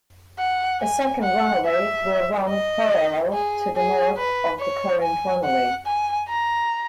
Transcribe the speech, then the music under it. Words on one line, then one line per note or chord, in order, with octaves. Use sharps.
A second runway will run parallel to the north of the current runway.
F#5
G#5
F#5
E5
D#5
G#4
G#4
B4
C#5
G#5
F#5
G#5
A#5